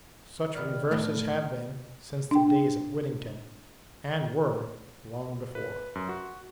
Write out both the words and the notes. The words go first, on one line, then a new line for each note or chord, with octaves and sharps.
Such reverses have been, since the days of Whittington; and were, long before.
A#2 D#3 B3 D5 F6
A2 F#3 A3 B3 D4
D4 G5
B4
F#2
F#4